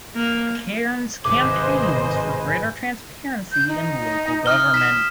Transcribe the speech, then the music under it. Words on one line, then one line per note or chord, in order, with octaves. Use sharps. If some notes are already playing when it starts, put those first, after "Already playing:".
Cairns campaigns for greater transparency in local government.
A#3
G#1 C3 G#4 B4 C5 D#5 G#5 D6
G6
D#4
D#6 F6 G7
B6 E7